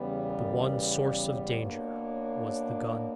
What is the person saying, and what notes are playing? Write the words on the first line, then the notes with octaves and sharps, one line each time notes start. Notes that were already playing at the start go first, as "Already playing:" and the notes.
The one source of danger was the gun.
Already playing: E2 C#3 G3 B3
A#4
B4
D5
C#5
B2 A#3 D4